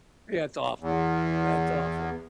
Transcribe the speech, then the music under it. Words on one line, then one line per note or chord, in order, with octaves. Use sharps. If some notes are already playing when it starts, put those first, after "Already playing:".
Yeah, it's awful, that's awful,
E2